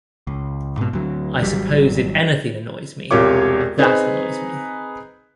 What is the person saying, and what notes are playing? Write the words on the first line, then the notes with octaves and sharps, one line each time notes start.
I suppose if anything annoys me, that annoys me...
C#2
G#2 B2
D2 F#3
G#1 C#2 F#3 G3
E1 C2 F4 G4 C#5 D6
C4 D#4 G#4 B4